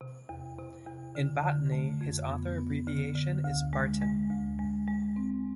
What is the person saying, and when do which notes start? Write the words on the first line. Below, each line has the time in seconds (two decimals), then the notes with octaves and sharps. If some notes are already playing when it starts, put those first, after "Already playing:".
In botany, his author abbreviation is Barton.
0.01 C3
0.29 E2
0.58 C3
0.86 E2
1.15 D3
1.44 D3
1.72 A3
2.01 F2
2.30 B3
2.58 B3
2.87 D3
3.15 D3
3.44 D2
3.73 G#3
4.01 G#3
4.30 D2
4.59 G#3
4.88 G#3
5.16 C4